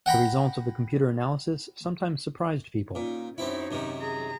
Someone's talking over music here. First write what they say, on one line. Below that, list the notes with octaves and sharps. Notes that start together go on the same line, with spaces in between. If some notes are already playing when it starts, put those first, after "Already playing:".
The results of the computer analysis sometimes surprised people.
F#5 G5 A#5 B5
A#2 C#4 D#4
F#2 C4 D#4 E4 C#5
F#2 C3 D#3
G#4 A#5